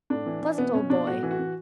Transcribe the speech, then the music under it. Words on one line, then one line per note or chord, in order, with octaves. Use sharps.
Pleasant old boy.
A2 D4
E3
E3
B2 B3
B2 C#4
B2 D4
A2 F#4
E3
F#4
E3